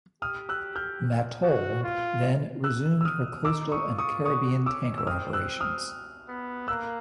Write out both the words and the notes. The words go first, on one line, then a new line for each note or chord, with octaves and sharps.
"Mattole" then resumed her coastal and Caribbean tanker operations.
G4 D#6 F6
E6 F#6
F6 G6
F#4
F4
E6 F#6
E6
D#6 F6
D#4 D6 E6
C#6 D#6
F4
C#6 D#6
F#4 C#6 D#6
C#4 D6 E6
E6
C4 D#6 F6
E6 F#6
D#6 F6
B3
A#3 E6 F#6